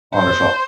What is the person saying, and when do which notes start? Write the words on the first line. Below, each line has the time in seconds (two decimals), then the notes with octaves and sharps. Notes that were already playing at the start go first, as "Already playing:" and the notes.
"on their phone
0.14 C5